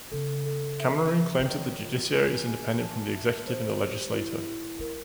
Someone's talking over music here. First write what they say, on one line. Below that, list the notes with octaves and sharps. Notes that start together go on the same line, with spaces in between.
Cameroon claims that the judiciary is independent from the executive and the legislature.
C#3 A4
A4
E5
E5
D3
D#3 C#5
F4
G#5
G#5
A5
E5
C5
G4
E4
E4
E3 A#4